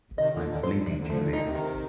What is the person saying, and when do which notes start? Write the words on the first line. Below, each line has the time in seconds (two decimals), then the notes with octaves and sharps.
I’m bleeding Julia.
0.18 C3 D#3 D#5
0.33 A#2 D3
0.42 A4
0.49 A#2 D3
0.63 A#2 C5
0.76 A#2
0.86 C3 D4
0.98 A#2 D3
1.10 D3 F3 A3
1.21 A#2 D3
1.33 A#2 D3 D#4
1.44 C3 D#3
1.55 A#4